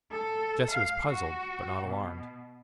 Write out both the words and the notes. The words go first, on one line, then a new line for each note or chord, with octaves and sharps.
Jesse was puzzled but not alarmed.
A4
F5
F#4
B2